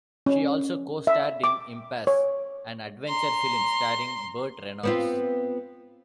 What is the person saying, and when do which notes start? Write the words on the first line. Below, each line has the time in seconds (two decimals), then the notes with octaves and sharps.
She also co-starred in "Impasse", an adventure film starring Burt Reynolds.
0.26 C#4
1.07 E5
1.44 D6
2.07 C#5
3.08 A#5 C6
4.83 B3 C4 F4